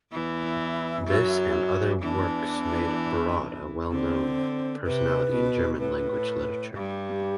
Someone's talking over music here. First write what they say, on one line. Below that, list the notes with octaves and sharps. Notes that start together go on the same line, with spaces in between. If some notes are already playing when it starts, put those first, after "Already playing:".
This and other works made Brod a well-known personality in German-language literature.
E2 E3 E4
F#2 F#3
E2 E3 D4
D3 C4
C3 B4
B2
A2 B4
G2 G4